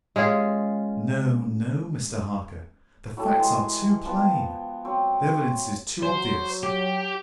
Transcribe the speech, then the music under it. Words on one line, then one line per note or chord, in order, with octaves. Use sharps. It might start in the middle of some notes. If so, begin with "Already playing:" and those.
No, no, Mr. Harker!--the facts are too plain--the evidences too obvious.
G#3 C#4 F4 G#4
F#3 E4 G4 A4
E3 G#3 G#4
F3 B3 G5
F#3 C4
F#3 C5
G4